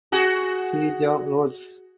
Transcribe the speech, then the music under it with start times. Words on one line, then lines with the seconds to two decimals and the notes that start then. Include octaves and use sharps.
Siege of Rhodes.
0.12 F#4 G#4